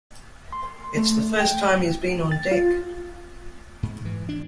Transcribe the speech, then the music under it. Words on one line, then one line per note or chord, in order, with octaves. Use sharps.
It's the first time he's been on deck.
C6
A3
G5
A6
F4
G#2
E3
D4